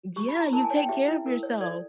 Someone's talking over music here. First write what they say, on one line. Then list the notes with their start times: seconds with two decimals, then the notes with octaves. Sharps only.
D yeah, you take care of yourself.
0.16 G4 C#6
0.29 B5
0.35 E4
0.40 A#5
0.53 A#4 A5
0.65 G#5
0.70 C#5
0.77 G5
0.89 G4 E5
1.08 E4
1.26 A#4
1.43 C#5
1.61 A4 D5